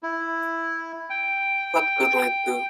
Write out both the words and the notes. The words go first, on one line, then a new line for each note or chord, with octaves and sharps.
What good'll it do?
E4
G5